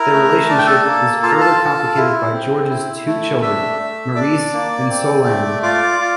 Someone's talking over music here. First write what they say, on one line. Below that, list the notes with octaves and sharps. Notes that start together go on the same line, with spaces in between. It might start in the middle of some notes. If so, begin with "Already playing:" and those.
The relationship is further complicated by George's two children: Maurice and Solange.
Already playing: E4 A#4 A#5
A3
D4 A5
G5
A4 A5
A#3
F4 A5
A#5
A4 A5
F4
E4
C4
E4
A3
D4 E5 E6
A3
D4 D5 D6
A#3
C4
A3
F4 D5 D6
F4